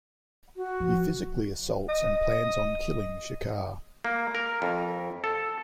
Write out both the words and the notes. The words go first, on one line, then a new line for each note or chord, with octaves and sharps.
He physically assaults and plans on killing Shekar.
F#4
F3
D#5
A#3
A#4
F2
A4